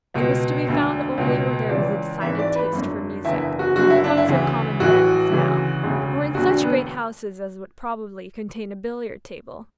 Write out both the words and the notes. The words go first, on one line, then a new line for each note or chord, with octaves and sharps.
It was to be found only where there was a decided taste for music, not so common then as now, or in such great houses as would probably contain a billiard-table.
C#2 B2
E1 D2 D3
C#2 B2
C#2 C#3 E3 D5
G#1 G#2 E3 E5
D5
B4
G#1 F#2 D3
F#1 E2 D3 E4
F#4
F#1 F#2 D3 F#4
E4
D4
E4
D2 C#3 E3
A1 A2 E3 F#4
D2 C#3 E3
E1 D2 C#3
E1 D2 D3 F#4
D4
B3